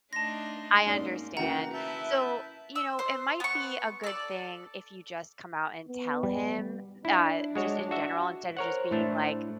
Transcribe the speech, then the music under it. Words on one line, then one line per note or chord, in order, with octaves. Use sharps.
I understand. So, you know, it might be a good thing if you just come out and tell him, uh, just in general instead of just being like
A3 D4 D#4 A5 C6 A#6
G#2 A#3 C#4 D4
C#3 E3 A#3 F#4 F#5 G5 A#5
E4 B4 E5 A5 G6
E6
C5
B3 C#6
A4 D5
B3
G3
D4 E4
G#3 F#4 C#5
F#4 E5
A#4 C5 C#5 F#5
A2 A3 D4